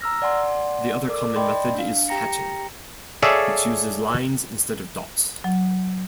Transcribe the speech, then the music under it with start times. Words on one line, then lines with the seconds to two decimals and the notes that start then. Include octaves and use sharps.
The other common method is hatching, which uses lines instead of dots.
0.01 A#5 E6 F6 A#6
0.22 D5 F#5 G#5 C6
1.09 A4 A#4 D5 D6
1.36 D5 D#5 G5 B5 C6
1.75 D4 F5
2.08 G4 G5 A#5 A#6 C#7
3.23 G#4 A4 C#5 D5 E5 F5
5.44 F#3